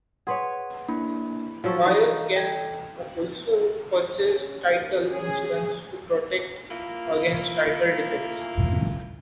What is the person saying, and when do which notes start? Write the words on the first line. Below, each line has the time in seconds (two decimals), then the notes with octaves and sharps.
Buyers can also purchase title insurance to protect against title defects.
0.27 G#4 B4 C#5 F#5 C6
0.88 A#3 D4 E4 B5
1.64 F3 F#3 A4 F5 C#6
1.86 E3 D#4
2.36 A4 G5 G#6
4.35 C#4
4.69 D#2
5.13 C#4 G#4
6.71 A#3 E4 F4